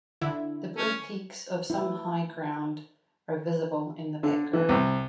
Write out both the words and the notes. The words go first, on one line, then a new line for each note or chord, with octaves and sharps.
The blue peaks of some high ground are visible in the background.
D3 E4
C#4
E4
D3
E3
C2